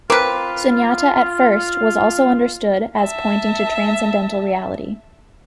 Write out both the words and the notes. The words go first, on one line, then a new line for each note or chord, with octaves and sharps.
Sunyata at first was also understood as pointing to transcendental reality.
C4 F4 A#4 B4 D6
E5 A5